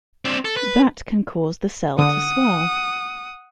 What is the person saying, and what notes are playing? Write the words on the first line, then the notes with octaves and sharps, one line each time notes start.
That can cause the cell to swell.
C4 D4
A4
B4
D3 F#5 D#6